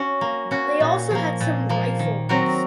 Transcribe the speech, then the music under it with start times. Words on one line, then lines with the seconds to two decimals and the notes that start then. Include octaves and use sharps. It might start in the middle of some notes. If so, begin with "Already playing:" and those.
They also had some rifles.
Already playing: C#4 F#4
0.21 A#3
0.51 C#4 F#4
0.80 A#2
1.11 F3 A#3
1.41 A#2
1.69 F3 A#3
1.99 D#3
2.29 F#3 C4 F#4 A#4